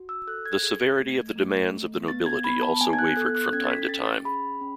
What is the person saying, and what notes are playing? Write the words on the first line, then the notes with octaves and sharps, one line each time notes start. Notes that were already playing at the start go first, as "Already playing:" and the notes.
The severity of the demands of the nobility also wavered from time to time.
Already playing: F#4
E6
A4 F#6
G#6
G#4
A3
A3
A3
B3 A6
G#6
B3 B5
A5
B3 G#5
G#6
F#6
A4 F#6
F#6
C#4 G#6
A6
B6
C#4 A6
A6
G#4 B5
C#4